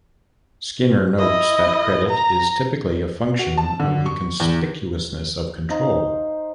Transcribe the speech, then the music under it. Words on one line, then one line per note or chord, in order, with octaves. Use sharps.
Skinner notes that credit is typically a function of the conspicuousness of control.
E4 D#5
A#5
F#4
A5
D3
C#6
E2
D#4 C5 F5